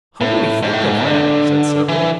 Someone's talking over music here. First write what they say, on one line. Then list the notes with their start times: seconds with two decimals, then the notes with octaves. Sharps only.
"Only think of that!" said several.
0.21 A2
0.63 G#2
0.73 A2
0.83 G#2
1.05 D3
1.88 E3